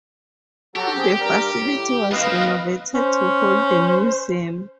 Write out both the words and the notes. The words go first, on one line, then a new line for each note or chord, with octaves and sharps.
The facility was renovated to hold the museum.
F#3 F#4 G4 A4
C4 G#4
G2 G3 A#4
A2
D#2 C4 B4 D#5 F5
C#4 C5